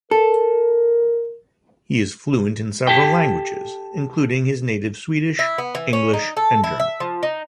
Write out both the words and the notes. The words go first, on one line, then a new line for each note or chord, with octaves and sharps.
He is fluent in several languages including his native Swedish, English and German.
A4 A#4
G4 A4 G5
E4
B3
E3
C#4
D#4
A4
E4
E5
F3
D#4